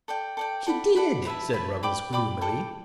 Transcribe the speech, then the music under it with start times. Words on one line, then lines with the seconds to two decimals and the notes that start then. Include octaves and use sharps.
"She did," said Ruggles gloomily.
0.08 A4 D5 G5
0.37 A4 D5 G5
0.67 A4 D5 F#5 B5
0.96 A4 D5 F#5 B5
1.25 E4 B4 E5 A5
1.53 E4 B4 E5 A5
1.83 D5 G5 B5 D6
2.13 D5 G5 B5 D6
2.41 A4 D5 G5